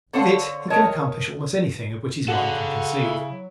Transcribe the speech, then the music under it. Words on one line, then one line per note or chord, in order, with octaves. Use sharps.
With it he can accomplish almost anything of which his mind can conceive.
D3 A4 C5 C#5 F5 F#5
A#4 C#5 D#5 G5 A5
C#3 F#4 A4 F#5
E4
F#3